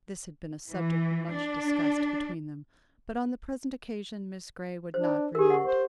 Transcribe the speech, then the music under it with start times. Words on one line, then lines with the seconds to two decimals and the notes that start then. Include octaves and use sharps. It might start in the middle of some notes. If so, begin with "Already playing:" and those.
This had been a subject much discussed between them, but on the present occasion Miss Grey would not renew it.
0.69 E3
1.33 D4
4.94 D4 C5
5.35 G4 G#4 A#4
5.50 F#5 C#6
5.66 C5